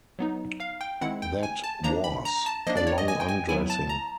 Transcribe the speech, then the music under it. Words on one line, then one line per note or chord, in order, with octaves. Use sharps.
That was "A Long Undressing".
F#3 B3 D#4
F5
G5
D#3 G#3 C4 E4 F#5
G5
G#5
A5
F3 A#3 D4 A#5
B5
A#5
A5
F3 A#3 D4 D#5
D5
C#5
D#5
G#5
G5
G#5
F#3 B3 E4 G#5
A5
A#5